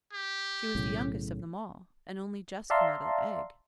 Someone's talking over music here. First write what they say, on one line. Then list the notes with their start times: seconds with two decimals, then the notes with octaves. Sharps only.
She was the youngest of them all, and only just come out of the egg.
0.13 G4
0.75 B1 A2 C#3
2.70 D5 E5 F5 A5 A#5 C6